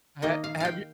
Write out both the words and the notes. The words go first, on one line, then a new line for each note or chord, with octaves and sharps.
ha have you
D#3 A#3 D#5
F5
F5 G5